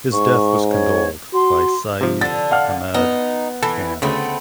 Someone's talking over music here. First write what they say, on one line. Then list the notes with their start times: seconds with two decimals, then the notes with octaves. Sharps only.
His death was condoled by Syed Ahmad Khan.
0.13 G#2 C#6
0.70 C#5
1.34 F#4 C6
2.01 C3 F3
2.21 D3 D4 A6
2.51 F5 F#5 F6
2.94 B3 D#4
3.63 E3 A4
4.02 D2 C#3 A3 B3 C4